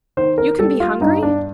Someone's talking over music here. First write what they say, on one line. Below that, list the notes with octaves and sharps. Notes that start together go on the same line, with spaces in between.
"You can be hungry?"
D#3 C5
A#4
G3 A4
F4
G2 D#4
D4